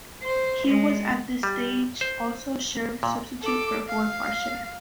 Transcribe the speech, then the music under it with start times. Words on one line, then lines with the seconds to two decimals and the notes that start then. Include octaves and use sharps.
He was at this stage also Sheriff Substitute for Forfarshire.
0.22 C5
0.67 G#3
1.43 G3
2.01 C5
3.03 A#2
3.42 A4 D6
3.88 F5